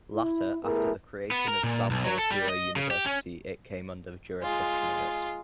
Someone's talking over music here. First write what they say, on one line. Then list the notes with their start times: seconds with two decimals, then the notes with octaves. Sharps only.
Latter after the creation of Sambalpur University it came under the jurisdiction of it.
0.14 E4
0.63 A3 B3 E4 G#4 A#4
1.31 B3
1.48 A#4
1.64 A#2
1.91 B1
2.05 F#3
2.19 A4
2.31 G3
2.49 D#5
2.76 C#3
2.91 G4
3.06 C#4
4.42 G#3 F4